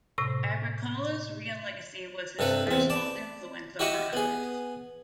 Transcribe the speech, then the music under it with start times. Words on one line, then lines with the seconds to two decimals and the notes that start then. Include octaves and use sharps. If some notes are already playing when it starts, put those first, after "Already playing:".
Agricola's real legacy was his personal influence over others.
0.18 A2 C3 A#6
2.39 G2 C3 A4 B4
2.67 E2 C4
2.90 D5 A5
3.79 E4 F#4 G4 D#5 E5 C#6
4.13 B3 G#4